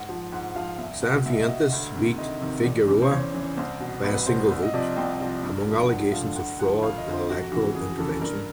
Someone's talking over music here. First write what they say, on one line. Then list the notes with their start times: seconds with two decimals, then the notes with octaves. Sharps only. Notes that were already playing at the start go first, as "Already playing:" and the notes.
Sanfuentes beat Figueroa by a single vote, among allegations of fraud and electoral intervention.
Already playing: G#2 F#5
0.09 F3
0.32 G#2 F#5
0.55 F3 F5
0.78 C2 E5
1.02 B2
1.25 C2 E5
1.33 D#5
1.41 E5
1.48 B2
1.72 D2
1.95 C3 D#3
2.18 D2 D#5
2.41 C3 D#3
2.64 E2
2.87 C#3 E3
3.02 C5
3.11 E2 C#5
3.34 C#3 E3
3.57 C2 C5
3.80 B2
4.04 C2 B4
4.27 B2 C5
4.50 C2
4.63 D#5
4.74 C3 F3 D5
4.97 C2 G5
5.20 C3 F3
5.43 G2
5.66 D3 F3
5.89 G2 F#5
6.12 D3 F3 F5
6.36 D2 F#5
6.59 D3 F3 F#5
6.82 D2 F5
6.98 D#5
7.06 D3 F3
7.14 C5
7.29 F2 F#4
7.52 C#3 E3 F#4
7.75 F2 G#4
7.98 C#3 E3 A4
8.21 G2 A#4